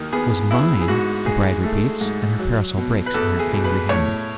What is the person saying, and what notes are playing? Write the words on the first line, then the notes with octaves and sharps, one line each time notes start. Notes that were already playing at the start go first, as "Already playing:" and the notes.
'Was mine!' the bride repeats, and her parasol breaks in her angry hand.
Already playing: D#2 D#3
B3 G#4
B3 E4
G#4
G#2 F#4
G#2 G#4
A3
G#2
F#3
B2
B4
E2 A4
G#4
B2
B4
A2 C#5